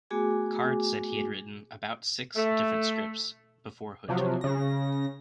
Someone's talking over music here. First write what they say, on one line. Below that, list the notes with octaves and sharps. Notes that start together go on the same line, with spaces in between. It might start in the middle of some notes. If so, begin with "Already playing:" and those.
Card said he had written "about six" different scripts before Hood took over.
A3 B3 F#4 G#4 G#5 D6
A3
C3 F3 F#3
C#3 A#6